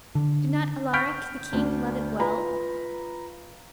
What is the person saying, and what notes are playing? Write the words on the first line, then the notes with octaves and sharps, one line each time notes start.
Did not Alaric the king love it well?
D3
C#6 F6 G6 B6 D7
D2 D4
F4 B4 A#5 B5